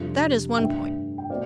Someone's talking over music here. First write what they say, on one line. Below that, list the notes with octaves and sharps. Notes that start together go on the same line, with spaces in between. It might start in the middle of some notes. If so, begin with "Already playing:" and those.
That is one point.
Already playing: F2 C3 G3 D4 F4 A4
G2 D3 A3 D4 E5 G5
G5
B2 A3 C4 D5 F5